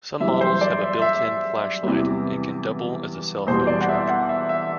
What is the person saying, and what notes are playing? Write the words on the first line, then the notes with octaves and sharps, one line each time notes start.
Some models have a built-in flashlight and can double as a cellphone charger.
F#2 E3 G3 E5
C5
D5
E5
E5
E2 C3 E3 G3
E2 B2 G3 C5
D5
F#5
E5
F#5
E5
E5